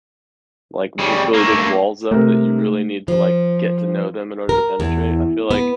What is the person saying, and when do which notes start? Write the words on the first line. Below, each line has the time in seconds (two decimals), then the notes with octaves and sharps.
like re really big walls up that you really need to, like, get to know them in order to penetrate. I feel like,
0.99 C#3 G3
1.33 A3 A#3
2.11 C3 A3 A#4
3.08 F3
4.49 A#4
4.80 E2
5.51 B3